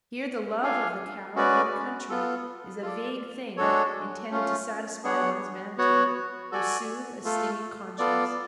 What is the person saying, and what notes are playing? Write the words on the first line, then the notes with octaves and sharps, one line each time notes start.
Here the love of the cow or the country is a vague thing intended to satisfy one's vanity, or soothe a stinging conscience.
D4 F4 A4 F5 G#5
G#3 C#4 F#4 B4 D5
B3 F4 A4
F4 A4 D5
G#3 D4 F#4 A4 C#5
A3 C#4 F4
B3 D4 G#4 C#5 F#5
B3 F#4 C#5 F#5
F#4 A4 D5 G#5
A3 F4 A4
B3 F4 A4 D5